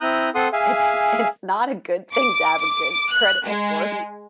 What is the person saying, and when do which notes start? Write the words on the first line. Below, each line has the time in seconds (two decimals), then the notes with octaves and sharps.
It's it's not a good thing to have a good credit score
0.01 C4 E4 A#5 D#6 F#6 G6
0.35 C4 A4 F#5 C6 D#6
0.53 G#4 E5 F5 G#5
2.13 D6
2.61 D6
3.11 F#6
3.46 G#3